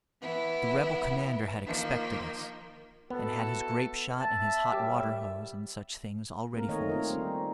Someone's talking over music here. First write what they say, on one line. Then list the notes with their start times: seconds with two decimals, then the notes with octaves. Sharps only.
The Rebel commander had expected us, and had his grape shot and his hot water hose, and such things all ready for us.
0.21 E3 B3 E4
1.66 D#3 F3 A#3
3.10 B3 E4 F#4 A4
4.19 E5 A5
4.73 F#2 G3 G4
6.54 A#3 C4 A#4
6.68 D#3 A3 C#5 D#5
6.90 C4 F4 A#4
7.10 G3 C4 C#4 D#4